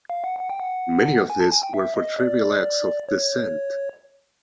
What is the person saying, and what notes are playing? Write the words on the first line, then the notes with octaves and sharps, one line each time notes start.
Many of these were for trivial acts of dissent.
F5
F#5
F#5
G5
F#5
G#5
A5
G#5
G5
E5
D#5
D5
C#5